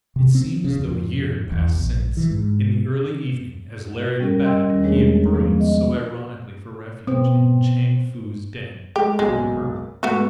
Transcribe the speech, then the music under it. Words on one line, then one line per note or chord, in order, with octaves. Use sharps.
It seemed as though a year had passed since, in the early evening, as Larry the Bat, he had burrowed so ironically for refuge in Chang Foo's den--from her!
C3
C4
C#3
F2
E2
A#1
E3
G#2
G3 C#4 G4 A#4
D#5 G5 C6 E6
E2 D#3 G3 C#4
D#3 G#3 A3 D4 G#4 C#5
F3 G#3 B3
D#5
B2 B3 C4
G#3 A3 G4
F#1 B1 G#3
G#2 A3 B3 F#4